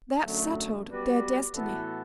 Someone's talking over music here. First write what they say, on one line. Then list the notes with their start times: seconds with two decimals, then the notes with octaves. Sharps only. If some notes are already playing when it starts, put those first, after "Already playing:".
That settled their destiny.
0.23 F#2 D3 F#3 A3
0.88 G3 B3 F#4 B4 D5
1.54 A2 E3 B3 F#4 A4